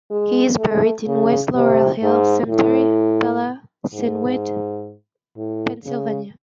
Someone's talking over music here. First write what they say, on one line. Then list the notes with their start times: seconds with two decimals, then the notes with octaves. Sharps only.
He is buried in West Laurel Hill Cemetery, Bala Cynwyd, Pennsylvania.
0.11 G#3
0.59 A3
1.07 C#3
1.55 C3
2.03 G#2
2.50 A2
3.94 G#2
5.37 A2
5.86 C#3